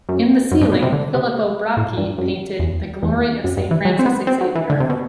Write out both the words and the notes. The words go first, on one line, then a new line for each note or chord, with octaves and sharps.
In the ceiling, Filippo Bracci painted "The Glory of Saint Francis Xavier".
F#2
F#2
G2
B2
C3
D3
C3
A2
G2
F#2
E2
E2
F#2
G2
E3
F#3
C4
B3
C4
F#3
E3
D3
C3
B2